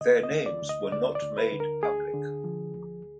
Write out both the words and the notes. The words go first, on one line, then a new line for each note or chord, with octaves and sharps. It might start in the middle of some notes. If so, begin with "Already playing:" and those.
Their names were not made public.
D2 D#5
D#5
D2
D5
D2
D#5
D2 D5
D5
D2
B4
D3
A#4
D2 G#4
D3
F3
D2